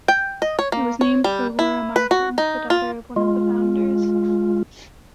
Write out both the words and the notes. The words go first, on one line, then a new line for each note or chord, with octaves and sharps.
It was named for Laura Martin, the daughter of one of the founders.
G5
D#5
C#5
A#3
C#5
G3
E4
B4
F#4
D#4
F4
G#3 F4